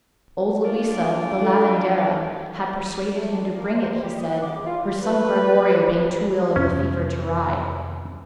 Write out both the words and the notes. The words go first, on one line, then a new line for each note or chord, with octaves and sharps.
Old Luisa, the /lavendera/, had persuaded him to bring it, he said, her son Gregorio being too ill of a fever to ride.
D4 F4 A#4
G#3 A4
A3
D4
D5
A#3
C5
G3
G4
D#5
F#5
D6
E2
F4
B4
F2 C3 B3 C#4